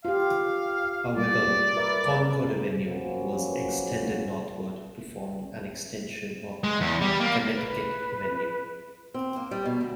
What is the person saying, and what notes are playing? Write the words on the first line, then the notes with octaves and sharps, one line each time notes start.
However, Concord Avenue was extended northward to form an extension of Connecticut Avenue.
F4 G4 F5
G3 D5
A#4 B4 E5
F#2 F3 A#3 B3 C#4
G#3
E2
G3
A#3
B4
C4
A#3
G3
B2
D2